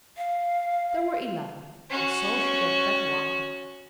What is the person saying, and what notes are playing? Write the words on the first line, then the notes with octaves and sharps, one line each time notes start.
There were eleven, and so she gave back one.
F5
C#4 F#4